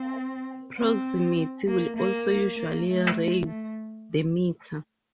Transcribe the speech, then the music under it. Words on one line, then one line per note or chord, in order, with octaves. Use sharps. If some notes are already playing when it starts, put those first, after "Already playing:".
Proximity will also usually raise the meter.
Already playing: C4
C4
A#3
A#3
A#3
A3
A3